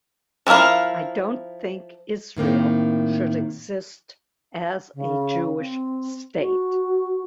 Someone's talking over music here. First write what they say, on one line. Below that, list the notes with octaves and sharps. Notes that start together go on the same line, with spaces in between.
I don't think Israel should exist as a Jewish state.
F3 G#3 E4 A#4 F5
A2 D#3 A#3 C4
C#3
C4
F#4